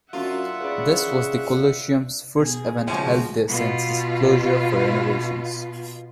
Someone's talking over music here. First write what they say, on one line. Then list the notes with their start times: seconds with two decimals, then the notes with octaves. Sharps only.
This was the coliseum's first event held there since its closure for renovations.
0.13 F#2 D4 D#4 F4 E5 F#5
0.60 C#3 B4 D5
2.36 B2 G#4
2.87 C#2 A2 F3 F4 F#4 C#5 G#5
3.48 B2 F4